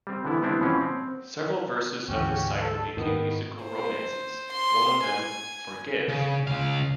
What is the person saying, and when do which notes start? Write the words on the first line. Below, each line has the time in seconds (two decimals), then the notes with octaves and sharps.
Several verses of this cycle became musical romances, one of them, Forgive!
0.07 G3 C4
0.25 D3 E3 B3 E4
0.42 G3 B3 C4 D4 E4
0.61 B2 E3 F3 C4 C#4
0.81 C4
2.08 D2 G#2 E3 C#4 F#4 G4
2.61 A4
2.97 G#2 D#3 B3 D4
3.62 C5
4.51 C6
5.04 G#5
6.08 C#3
6.47 C#2 F5